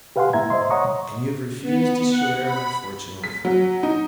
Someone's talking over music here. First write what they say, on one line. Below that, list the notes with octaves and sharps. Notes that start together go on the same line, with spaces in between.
"And you have refused to share my fortune with me."
G4 B4 F5 F#5 G#5 C6
G#2 A#3 E4 E5 A#5 G#6
C5 D#5 E5 C6
C#5 D#5 F#5 A#5 C#6 D#6
B3
F#5
B5
B6
F#3
D#4